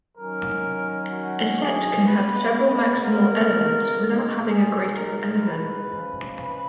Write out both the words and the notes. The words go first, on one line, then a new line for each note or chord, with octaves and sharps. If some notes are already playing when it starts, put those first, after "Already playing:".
A set can have several maximal elements without having a greatest element.
D#3 F#3 C#4 A#4
F#4
G#4
C#3 G#3 B3 B4
B4
A#4
B2 G#3 D#4
G#4
A#4
B4
C#3 F3 G#3
B4